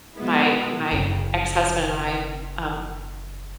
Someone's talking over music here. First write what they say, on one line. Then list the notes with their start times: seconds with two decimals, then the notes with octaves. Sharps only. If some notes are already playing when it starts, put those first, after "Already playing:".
my my ex-husband and I, um,
0.14 B2 G#3 B3 E4
0.91 F#1 C#3